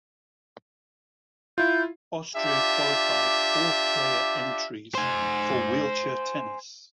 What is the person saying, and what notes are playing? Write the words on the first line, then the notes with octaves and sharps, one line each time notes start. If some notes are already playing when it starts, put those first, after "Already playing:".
Austria qualified four player entries for wheelchair tennis.
E4 F4 G6
D4 F4 G4 E5
C5 G#5